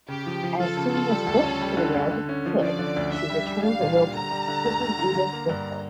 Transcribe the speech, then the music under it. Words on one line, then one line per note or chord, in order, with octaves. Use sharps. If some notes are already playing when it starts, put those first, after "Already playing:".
As soon as Wulfthryth could, she returned to Wilton, taking Edith with her.
C#3 G4
F3
F3
F4 A4
C#3
F4
G3
D2
C#4
G3
D3
D2
D3
C#4
F3
F3 D5
D3
D2
D4 E5
G3
G3
D4 F5
A#2
G3
D3 A#5
G3
D3
D2
D2
D3
D3
A#3
G2